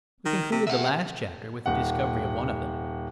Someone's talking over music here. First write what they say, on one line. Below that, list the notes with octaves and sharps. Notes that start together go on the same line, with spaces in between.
We concluded the last chapter with the discovery of one of them.
D#3
C3
C3 E5 F#5
D#1 F#5